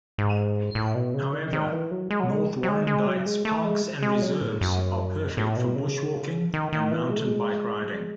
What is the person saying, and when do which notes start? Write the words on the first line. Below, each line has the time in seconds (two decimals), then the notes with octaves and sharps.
However, North Warrandyte's parks and reserves are perfect for bushwalking and mountain bike riding.
0.18 G#2
0.75 A2
0.95 B2
1.14 C#3
1.33 D#3
1.53 D#3
1.72 E3
1.91 F#3
2.11 G#3
2.20 F#3
2.30 G#3
2.63 F#3
2.68 G#3
2.87 G#3
3.07 F#3
3.26 G#3
3.45 A3
3.65 G#3
4.03 G#3
4.22 F#3
4.41 A2
4.61 F#2
5.37 A2
5.57 B2
5.75 C#3
6.54 D#3
6.73 D#3
6.91 E3
7.10 G#3
7.18 A3
7.25 G#3